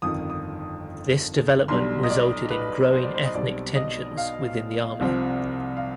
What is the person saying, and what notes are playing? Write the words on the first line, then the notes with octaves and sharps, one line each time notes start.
This development resulted in growing ethnic tensions within the army.
G1 F2 D#3 D#6
D#6
B1 B2 G3 D4 C6
D#5
D5
B4
C5
D5
C5
D#5
B1 B2 G3 C4 D5
D#5
F5
C2 C3 F3 C4
F5